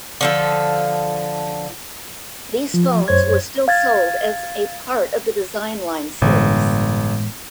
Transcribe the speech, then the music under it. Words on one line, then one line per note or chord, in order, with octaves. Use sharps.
These phones were still sold as a part of the Design Line series.
D3 F3 A4
F3
F#2 C5 C#5 G#6
F5 G#6 A6
G1 A2 E3 G#3